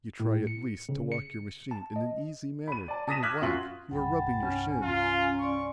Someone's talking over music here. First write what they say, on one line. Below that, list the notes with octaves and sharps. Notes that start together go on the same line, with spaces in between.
You try at least to walk your machine in an easy manner, and whack!--you are rubbing your shin.
A2
C#7
C#3
C#7
A5
D#5
B5 D#7
D5 A5
A5 D#6 A#6 B6 D#7 E7
D6 F6 F#6 G#6 B6
F#2 F4 F#4 C6 F#7
C2 G2 F#5 G5 A5 B5
C#4
F4 F5 A#5
D5 C6 C#6